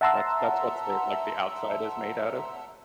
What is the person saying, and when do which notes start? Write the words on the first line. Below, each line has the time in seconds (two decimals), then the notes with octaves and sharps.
That's that's what's they like, the outside is made out of?
0.01 E5 F#5 A5 A#5 C6 E6